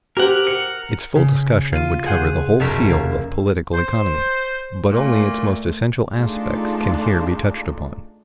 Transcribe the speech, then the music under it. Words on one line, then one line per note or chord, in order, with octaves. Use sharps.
Its full discussion would cover the whole field of political economy, but only its most essential aspects can here be touched upon.
G4 A#4 C5 F#5
C#7
C#3
F4 D#7
G#4 C5 F#5 D#7
F1 B1 C#4 A#4 E6 B6
A#3
C5
A#2 A3
A3 D4 D#4 F4 G#4 A4